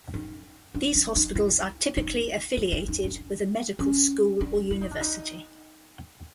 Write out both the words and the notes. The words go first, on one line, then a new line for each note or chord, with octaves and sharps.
These hospitals are typically affiliated with a medical school or university.
D#4
D4
D4
D#4
E4
D#4
E4
D#4
D#4
D4
C#4
D4
E4
D#4
D4
D#4